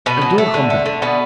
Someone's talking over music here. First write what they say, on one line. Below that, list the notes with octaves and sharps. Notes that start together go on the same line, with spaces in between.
And don't come back.
B2 B3
F#3
A3
D3
A3
D3
B2 B3